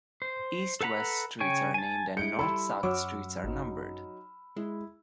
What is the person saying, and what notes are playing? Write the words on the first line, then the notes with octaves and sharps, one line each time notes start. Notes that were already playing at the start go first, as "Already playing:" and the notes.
East-west streets are named and north-south streets are numbered.
C5
A4 B4 F#5 A#5 B5
C#3 C#5 G5 G#5 C#6
G#5 A5
G#3 E4 G6 C#7 D7
G3 E4 A4 B5 C6 E6
F#2 F#3 C#5 F#5 D6 E6 F6
G#1 F#3 D#4
G#3 E4